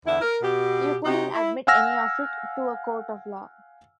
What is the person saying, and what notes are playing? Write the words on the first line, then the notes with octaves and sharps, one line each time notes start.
You couldn't admit any of it to a court of law.
E2 D3 E4
A#4
B2 G4
C3 D#4 F#4 G4
E4
F5 F#5 G#5 E6 F6 A#6